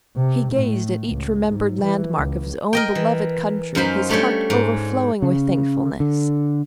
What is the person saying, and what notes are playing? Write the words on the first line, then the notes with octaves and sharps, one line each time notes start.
He gazed at each remembered landmark of his own beloved country, his heart overflowing with thankfulness.
C3
A2
C#2
G#2
E3
C#2
A#4 D#5 G5
E3
F#2 D#4 F4 C5 B5
G3 A3 D4 C#5 G5
G#2
C#3
D3